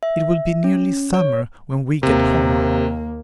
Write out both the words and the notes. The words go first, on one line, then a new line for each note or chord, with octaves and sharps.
It will be nearly Summer when we get home.
E5
C#4
C#5
D#2 C3 A#3